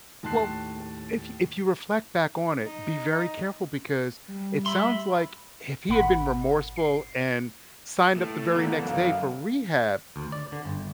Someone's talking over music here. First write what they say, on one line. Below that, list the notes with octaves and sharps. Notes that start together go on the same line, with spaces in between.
Well, w if if you reflect back on it, be very careful because it sounds like if he had been remorseful and signed up the very next day for rehab,
D#2 A2 A5 C6 F#6 C7
D#4
G3
E5 B5 C6
G#1 A#2 F#5 B5
C7
A2 A3
D3 E3 A#3 B3
F#2 F5
D2
D5
D3
G1